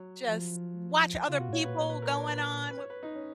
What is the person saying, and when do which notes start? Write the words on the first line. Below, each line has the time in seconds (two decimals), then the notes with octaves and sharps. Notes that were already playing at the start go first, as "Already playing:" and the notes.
just watch other people going on wi
Already playing: F#3
0.27 F3
1.28 C#3 F4
1.39 B2 F#4
1.49 G#2
1.52 A#2 C#5
1.65 A#2 B4
1.77 A#2 C#5
1.90 B4
2.02 A#4
2.15 C#5
2.28 B4
2.71 B4
2.77 C#5
2.90 B4
3.03 D#4
3.15 C#4